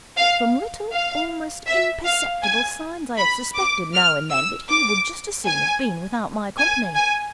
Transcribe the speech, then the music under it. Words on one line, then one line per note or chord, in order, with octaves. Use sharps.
From little, almost imperceptible signs I have suspected now and then that he would just as soon have been without my company.
F5
F5
E5
F5
G#5
B5
D6
F6
E6
D6
G#5
G#5
G#5